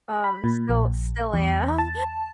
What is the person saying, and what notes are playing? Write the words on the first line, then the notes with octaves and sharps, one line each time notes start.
um, still still am.
B5
A#2
A#1
E2
A5